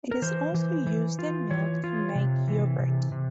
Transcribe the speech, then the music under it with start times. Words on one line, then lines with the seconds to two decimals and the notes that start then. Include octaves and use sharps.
It is also used in milk to make yogurt.
0.11 A#4
0.22 E3 C5
0.54 E3
0.87 E3
1.19 F4
1.51 E3 C#5
1.84 F4
2.15 C3
2.48 E3
2.79 C3
3.12 C3